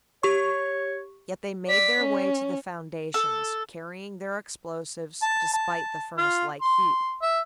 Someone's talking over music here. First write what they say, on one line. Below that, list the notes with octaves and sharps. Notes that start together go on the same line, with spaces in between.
Yet they made their way to the foundations, carrying their explosives, despite the furnace-like heat.
G4 C#5 C#6
D5 B6
C#4
A4
A5
A5
F4
C6
E5